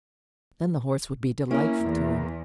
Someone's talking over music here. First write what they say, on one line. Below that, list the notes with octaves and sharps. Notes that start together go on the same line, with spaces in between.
Then the horse would be delightful to him.
A#3 C#4 E4 A#4
E2